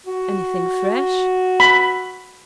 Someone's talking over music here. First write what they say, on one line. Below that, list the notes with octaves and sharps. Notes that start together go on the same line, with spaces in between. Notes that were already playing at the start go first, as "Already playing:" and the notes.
Anything fresh?'
F#4
B5